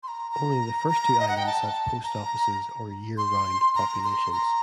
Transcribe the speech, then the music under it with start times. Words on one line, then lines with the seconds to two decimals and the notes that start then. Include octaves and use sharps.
Only the first two islands have post offices or year-round populations.
0.03 C6
0.08 A#5
0.32 A#5
0.89 A#5
1.20 D#5
1.28 F#5
1.37 G5
1.46 A5
2.03 A#5
3.18 C6
3.75 A#5
4.04 C6
4.33 A#5